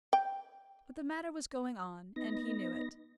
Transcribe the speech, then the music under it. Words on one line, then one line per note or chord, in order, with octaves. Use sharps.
But the matter was going on, and he knew it.
G5
B3 D#4 A#6